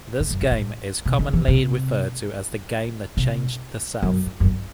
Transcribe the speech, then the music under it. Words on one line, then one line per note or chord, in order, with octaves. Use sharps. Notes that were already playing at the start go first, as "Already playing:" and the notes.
This game is commonly referred to as the game that changed the south.
A2
F#2
A2
A2
C3
D#3
E3
C3
C3
F#2
F#2
G#2